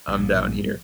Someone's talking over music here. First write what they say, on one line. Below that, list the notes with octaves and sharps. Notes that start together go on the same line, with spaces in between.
I'm down here.
A#1 A2